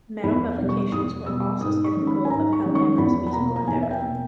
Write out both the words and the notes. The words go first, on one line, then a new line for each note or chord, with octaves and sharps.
Metal publications were also skeptical of Hellhammer's musical endeavor.
E2 B5
B2 G3
C#6
E2 D#6
B2 G3 E6
G#2 D#6
C#6
D#3 G#3 C#4
B5
G#5
G#2 A#5
C#6
D#3 G#3 C#4
C#6
E2 B5
B5
B2 A#3 A#5
A#5
E2 G#5
E5
G5
B2 A#3